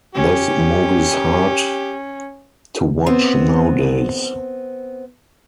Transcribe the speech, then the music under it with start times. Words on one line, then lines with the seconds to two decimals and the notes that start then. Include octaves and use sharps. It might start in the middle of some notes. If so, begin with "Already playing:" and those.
This movie's hard to watch nowadays.
0.15 C#4 G4
3.06 B3 C4